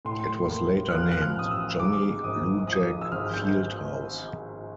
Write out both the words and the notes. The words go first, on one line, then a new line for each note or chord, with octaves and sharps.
It was later named Johnny Lujack Field House.
A2 C6
A#3
F6
F3 F#6
F#6
F6
A1 D#6
E6
G#2 D6
G#1 D#6
F3 D#6
E6
G#1 F6
G6